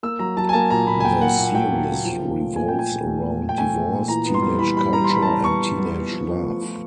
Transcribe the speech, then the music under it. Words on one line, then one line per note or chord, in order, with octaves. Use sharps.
The series revolves around divorce, teenage culture and teenage love.
A#3 E6
F#3 A#5
F#3 A5
G#5
A#3 A5
A#2 A#5
A#2 B5
G#5
A#3 G5
A#3 F#5
A#2
F#3 G5
A#3
A#3
F3
A#2
A3
A#2 G#5
G5
A#2
G#5
A#2
A3
A#2
F3
G5
A3 G#5
F3
A#2
E3 A#5
B3
C6
G3
E3 B5
G3 B5
G3 A#5
C6
E3 B5
A5
G3 A#5
B3 C#6
E3
B3
B3
F3
F3
A3
F3